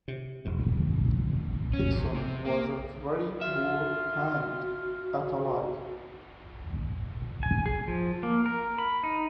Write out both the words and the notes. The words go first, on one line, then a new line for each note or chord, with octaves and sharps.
Dickson was a very poor hand at a lie.
C3
E1 F2 G#2
C#4
E2
C3
A#3
F4 F#4 E5
G#5
G#4
F3
A#3
A#4
B5
D#4